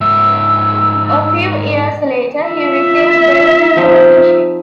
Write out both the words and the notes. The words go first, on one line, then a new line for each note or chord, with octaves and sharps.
A few years later he received Belgian citizenship.
G#2 E5 E6
F4 E5
F3 C4 D#4